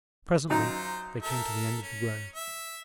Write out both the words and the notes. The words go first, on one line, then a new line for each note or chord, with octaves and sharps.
Presently they came to the end of the grove.
F#2 D#4 F4 C5
A4 A#4 E5
C#4
E5